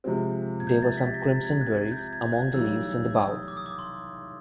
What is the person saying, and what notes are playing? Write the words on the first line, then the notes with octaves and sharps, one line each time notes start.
There were some crimson berries among the leaves in the bowl.
C3 F3 G#3 C4
G#6
G6
A6
B6
A6
A#6
A6
G#6
F#6
G6
G#6
F#6
B1 A2 E3 G3 E6
E6
D#6
D6
D#6
D6
C6